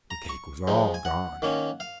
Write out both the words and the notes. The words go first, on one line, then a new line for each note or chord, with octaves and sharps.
The cake was all gone!
A#5
C#6
F3 G#3 C4
G#5
F#5
D#3 A#3 C#4
F5